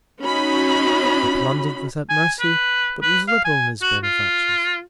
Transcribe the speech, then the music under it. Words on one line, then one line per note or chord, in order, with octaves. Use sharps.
He plunder'd without Mercy; but was liberal in his Benefactions.
C#4 D#4 F#4 B5
G#5
B4
B4
F5
G#5
F#4
F4